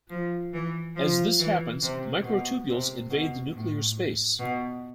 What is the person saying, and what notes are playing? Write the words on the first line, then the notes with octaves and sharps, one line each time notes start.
As this happens, microtubules invade the nuclear space.
F3
E3
F3
E3
C3
B2
C3
B2
A2
B2